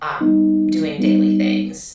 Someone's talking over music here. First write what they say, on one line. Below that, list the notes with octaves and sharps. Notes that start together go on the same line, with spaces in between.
um, doing daily things.
G3 B3 D#4
G3 B3 D#4